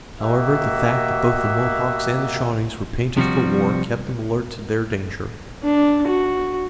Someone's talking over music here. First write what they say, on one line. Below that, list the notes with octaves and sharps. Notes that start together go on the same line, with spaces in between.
However, the fact that both the Mohawks and the Shawnees were painted for war kept them alert to their danger.
A#3 F#4 G4 D#5 E5
C3 F3 G3 F#4
D4
F#4